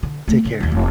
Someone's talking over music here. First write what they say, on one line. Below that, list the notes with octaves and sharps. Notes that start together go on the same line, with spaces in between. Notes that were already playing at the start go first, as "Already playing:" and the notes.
Take care.
D3
A3 B3
C#3
E1 D#2
F1